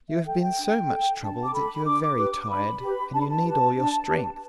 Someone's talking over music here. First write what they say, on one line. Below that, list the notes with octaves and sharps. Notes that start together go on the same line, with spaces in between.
"You have been so much troubled that you are very tired, and you need all your strength."
E5
A4 G5
G5
D4
A4
D4 A5
D6
A4 B5
D4 D6
D6
G4 B4 D6
D6
D6
D4 B5
G4 B4
D4 A5
B5
A5
G4 B4
D4
G4 B4